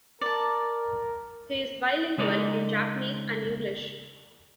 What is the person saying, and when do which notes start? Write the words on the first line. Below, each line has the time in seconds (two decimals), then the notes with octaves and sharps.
He is bilingual in Japanese and English.
0.21 A#4 D5 A5
2.18 C#3 G#3 D#4 A#4 D5